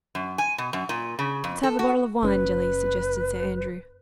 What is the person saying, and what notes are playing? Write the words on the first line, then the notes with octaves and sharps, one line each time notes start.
"Let's have a bottle of wine, Jelly," suggested Sir Andrew.
F#2
G#5
B2
F#2
A#2
C#3
F2
A4
F#4
F#1 C4 C#4 B4